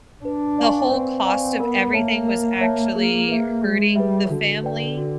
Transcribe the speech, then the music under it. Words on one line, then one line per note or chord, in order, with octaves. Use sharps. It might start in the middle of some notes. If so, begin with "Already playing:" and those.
the whole cost of everything was actually hurting the family
D4 B4
D5 F5 G#5 C#6
C4 B4
D5 F5 G#5 C#6
B3 A#4
A#3 C#5 E5 A5
A#4
C#5 E5 A5
A#3 G#4
B4 E5
G#3 G#4
G3 B4 E5
D3 F#4
B4 D5 G5
F#4